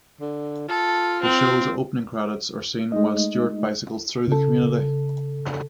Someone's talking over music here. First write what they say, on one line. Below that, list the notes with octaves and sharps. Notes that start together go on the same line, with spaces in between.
The show's opening credits are seen while Stewart bicycles through the community.
D3
F4 A4
C4
G#3 A3 D#4 D#5
C#3 A4